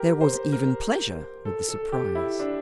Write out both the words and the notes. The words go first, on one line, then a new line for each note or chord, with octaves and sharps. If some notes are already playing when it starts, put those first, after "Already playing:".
There was even pleasure with the surprise.
Already playing: G4 A#4
C5
A#4
A4
A4
G4
E4
D4